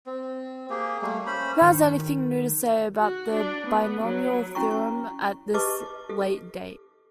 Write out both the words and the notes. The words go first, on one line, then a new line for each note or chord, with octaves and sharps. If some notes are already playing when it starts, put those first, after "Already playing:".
Who has anything new to say about the binomial theorem at this late date?
C4
A#3 G4 G#4
G3 A3 A#3
C#4 C5 B5
D#3
F#4
D4
B3
F#3
C#4 E4 F#4 G5 A#5 C#6
G4 B4 D#5 A5 C#6 D6
G4 A4